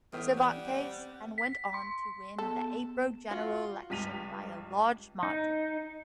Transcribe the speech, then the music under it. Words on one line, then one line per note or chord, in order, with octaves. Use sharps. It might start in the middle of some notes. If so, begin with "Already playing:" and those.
Cervantes and went on to win the April general election by a large margin.
C2 A2 E3 B3 G5 D#6 F6
G3 F#5
C4
B6
C6
B3 A4 E7
F4 F#4
C#2 G2 B6 D#7 F7
D#4